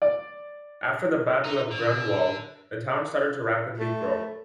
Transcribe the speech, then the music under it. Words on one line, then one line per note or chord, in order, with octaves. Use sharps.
After the Battle of Grunwald the town started to rapidly grow.
D5
D#4
D3
A3